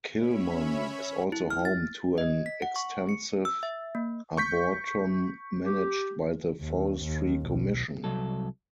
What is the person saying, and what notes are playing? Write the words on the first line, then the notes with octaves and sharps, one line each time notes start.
Kilmun is also home to an extensive arboretum managed by the Forestry Commission.
C#4 C#5 E5 B5
E4
F6
A6
D#5
B6
F#5
C#6
C#7
E6
E5
A#3
C#6 G6 B6
G4
D#2
D#2
B1
C2 F#3 A4